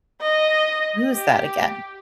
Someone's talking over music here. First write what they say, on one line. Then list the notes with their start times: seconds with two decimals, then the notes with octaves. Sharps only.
Who is that again?
0.21 D#5
1.12 G4